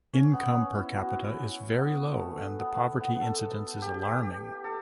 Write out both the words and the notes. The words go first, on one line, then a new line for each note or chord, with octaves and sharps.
Income per capita is very low and the poverty incidence is alarming.
C#4
B3
C#4
E4
F#4
E4
B3
A3
B3
B3
A4
G4
G4
A4